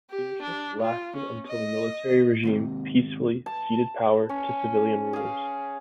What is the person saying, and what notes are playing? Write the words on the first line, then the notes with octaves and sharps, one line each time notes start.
The dictatorship lasted until the military regime peacefully ceded power to civilian rulers.
G4
D4
F4
C#4
D#5
D#2 G#2 C3
A5
C#4
G#4 F5